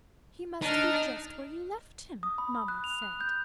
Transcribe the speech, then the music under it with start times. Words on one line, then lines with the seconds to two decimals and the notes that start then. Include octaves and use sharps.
"He must be just where you left him!" Mama said.
0.62 D4 D#4 F6
2.23 D#6
2.38 B5
2.55 D#6
2.68 F#6
2.84 F7
3.02 F#6
3.21 G6